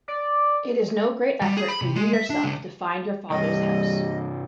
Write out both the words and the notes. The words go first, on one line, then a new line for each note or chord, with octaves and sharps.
It is no great effort for you yourself to find your father’s house.
D5
G3
G#4
B5
C3
G#3
E5
D4
C#2
C2 G2 G3 D#5